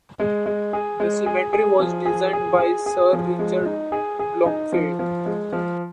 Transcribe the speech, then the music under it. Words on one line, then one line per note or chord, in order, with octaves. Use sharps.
The cemetery was designed by Sir Richard Blomfield.
G#3
G#3
G#4
G#3
G#4
G#4
F3
G#4
G#4
G#4
G#4
F3
G#3
D#4
G#4
G#4
D#4
F3
F3
G#3
F3